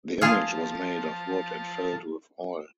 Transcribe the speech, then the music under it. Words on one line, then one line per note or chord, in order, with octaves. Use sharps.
The image was made of wood and filled with oil.
F3 F4 G#4 F5 A5